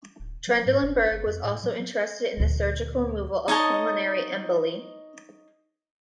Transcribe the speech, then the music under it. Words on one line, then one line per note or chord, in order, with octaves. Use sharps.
Trendelenburg was also interested in the surgical removal of pulmonary emboli.
D1
F#3
G#2
F#1
G1
F2
A2
F#3
D2 A#2
D#4 C#5 D#5 A5